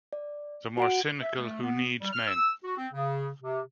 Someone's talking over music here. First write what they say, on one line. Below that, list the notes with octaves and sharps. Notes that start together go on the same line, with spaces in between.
The more cynical Who Needs Men?
D5
F#4 F#5 D7
E5
A3
B3
G3
F6
E6
F#4
C4
C#3
C3